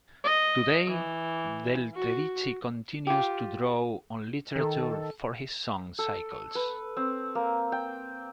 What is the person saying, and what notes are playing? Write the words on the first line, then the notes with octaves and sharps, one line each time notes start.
Today, Del Tredici continues to draw on literature for his song cycles.
D#5
E3
F#4
F4 G4
D#3 A4
A4
B4
C4
A#3
G5